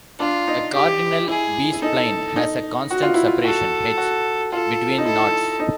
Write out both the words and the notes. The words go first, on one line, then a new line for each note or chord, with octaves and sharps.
A cardinal B-spline has a constant separation, "h", between knots.
D4 F4
D#4
G4
E4 G#4
E4
D#4 A4
D#4
F#4
F4
E4
F4
F#4 A4
F#4
F4 A4
D#4
E4 A4
D#4